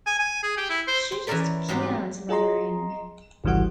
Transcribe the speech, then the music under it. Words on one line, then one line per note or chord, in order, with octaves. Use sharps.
She just can't let her in.
G#5
G#5
G#4
G4
E4
C5
C5
E3 C#4 E4 A#4 D5 B5
G#2 F#3 G3 G4
F4 G#4 D#5 A#5 C6
G#1 C#2 E3 G3 F#4 F#5